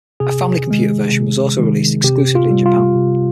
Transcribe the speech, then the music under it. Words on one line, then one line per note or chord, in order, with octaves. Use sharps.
A Family Computer version was also released exclusively in Japan.
C3 G#4
D#3 G#3
C3
D#3 G#3
C3 G4
F4
G3
F4
C3